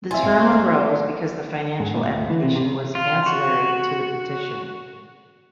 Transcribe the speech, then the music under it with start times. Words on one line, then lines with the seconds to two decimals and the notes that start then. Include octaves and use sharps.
The term arose because the financial application was 'ancillary' to the petition.
0.11 A#3 C4 F4 E5 G#5
1.80 G#2
1.95 A#2
2.07 D2
2.30 E3
2.43 C3
2.55 C3
2.95 F4
3.26 F#4